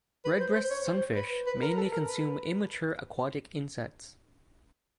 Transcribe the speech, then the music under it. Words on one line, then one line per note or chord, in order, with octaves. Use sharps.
Redbreast sunfish mainly consume immature aquatic insects.
B4
C5
C5
C#5
C5
B4
B4
A#4
A4
A#4
B4